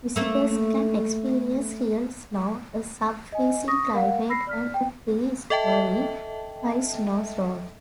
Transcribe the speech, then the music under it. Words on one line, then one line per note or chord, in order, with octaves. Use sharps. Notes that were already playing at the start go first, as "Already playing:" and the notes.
Visitors can experience real snow, a sub-freezing climate and a three-storey high snow slope.
A3 A#3
D#5 G#5
C#6 D#6 A#6
A#4 F5 F#5
B5 E6 A#6 C7
D5 F6 B6
G5
A4 D#5 E5 G5 A5